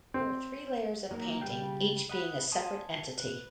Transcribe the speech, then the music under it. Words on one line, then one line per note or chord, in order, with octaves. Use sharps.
There are three layers of painting, each being a separate entity.
C4
F#3 A#3 D#4 A#4
C#3 G3 F5 G5
D#5 F#5 B5
G#5 A5 C6 D#6
B4